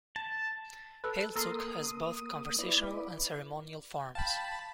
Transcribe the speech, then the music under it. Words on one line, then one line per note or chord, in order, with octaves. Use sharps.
Heiltsuk has both conversational and ceremonial forms.
A5
A4 B4
A#3 A4 A#4 C6 D#6
E4 B4 D5
F5 G5 A5 B5